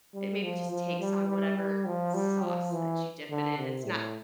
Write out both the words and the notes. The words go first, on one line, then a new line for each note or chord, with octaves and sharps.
It maybe just takes on whatever sauce that you dip it in. It's not
G3
F3
F3
G3
G3
G3
F3
G3
F3
E3
D3
C3
A2